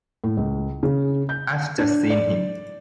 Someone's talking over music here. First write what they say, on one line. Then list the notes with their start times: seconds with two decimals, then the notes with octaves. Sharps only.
I’ve just seen him.
0.24 A2
0.37 C#2
0.83 C#3
1.29 G6
1.79 D4
2.10 D5